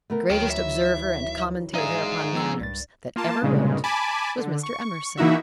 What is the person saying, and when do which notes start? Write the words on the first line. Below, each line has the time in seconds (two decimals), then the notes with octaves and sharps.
The greatest observer and commentator upon manners that ever wrote was Mr. Emerson.
0.10 A3 B3 A#4
0.30 D2 D#3 E3 F#3 A#4 G5
0.50 E5
1.74 D#4 G#4 D5 E5 F5
2.33 F3 B3 E6
2.60 C2 G2 A6
3.16 A#3 F4 A5
3.42 C2 G2 A#2 C#3 G#3
3.84 G#5 A5 B5 D6
4.38 D3
4.63 C#6
5.17 E3 A#3 D#4 E4 F#4 E5